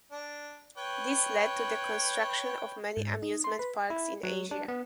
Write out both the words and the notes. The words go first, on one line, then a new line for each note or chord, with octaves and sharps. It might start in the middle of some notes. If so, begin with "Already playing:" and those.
This led to the construction of many amusement parks in Asia.
D4
B4 C#5 G5
G#2
D#4
C6
B4
E4
F#3
D4
B3